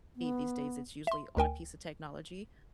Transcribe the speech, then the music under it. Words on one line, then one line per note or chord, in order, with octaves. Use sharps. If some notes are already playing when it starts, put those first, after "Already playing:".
these days, it's usually on a piece of technology,
B3
E5 C6
D2 A#4 G5 G#5